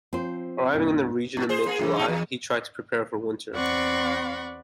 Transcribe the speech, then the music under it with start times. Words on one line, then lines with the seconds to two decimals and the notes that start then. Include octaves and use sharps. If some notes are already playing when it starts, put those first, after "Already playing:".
Arriving in the region in mid-July, he tried to prepare for winter.
0.13 F3 C4 C5
0.74 C2 G2 A#2
1.37 G#2
1.49 G#4 C5
1.66 A#3 G#4
1.79 F#2 C3 E3
1.96 A#2 D#4
2.08 E2
3.53 E2 C4 D5 F#5 B5 C#6